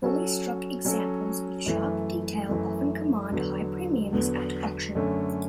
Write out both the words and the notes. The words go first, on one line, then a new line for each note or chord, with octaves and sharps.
Fully struck examples with sharp detail often command high premiums at auction.
F#3 C#4 F#4 A4
F#3 C#4 F#4 A4
F#2 E3 A3
F#2 E3 A3
E2 D3 F#3 B3
E2 D3 F#3 B3
F#2 D3 A3 C#4